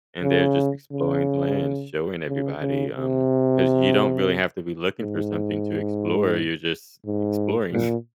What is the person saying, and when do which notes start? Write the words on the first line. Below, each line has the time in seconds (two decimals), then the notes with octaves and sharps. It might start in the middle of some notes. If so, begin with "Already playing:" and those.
and they're just exploring the land, showing everybody, um, 'cause you don't really have to be looking for something to explore, you're just exploring.
0.23 C#3
0.91 C#3
2.28 C#3
2.61 C#3
2.95 C3
5.01 G#2
7.06 G#2
7.73 A#2